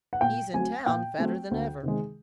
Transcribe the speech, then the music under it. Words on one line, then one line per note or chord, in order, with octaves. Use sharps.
He's in town, fatter than ever.
F#5
A#2 G5
F#3 A3 C4 G#5
A#2 G5
F#3 A3 C4
D2
C3 D#3 G#3